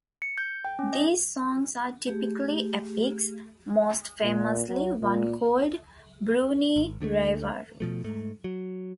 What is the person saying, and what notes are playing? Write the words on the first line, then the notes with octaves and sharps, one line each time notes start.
These songs are typically epics, most famously one called "Burunee Raivaru".
C#7
G6
G5
C#4
D#5
A3 G4 G#4
A#2
F#3
A#2
G#1
D2 D3 G#3 A3
B2 F3 A3
G#2 A3
F#3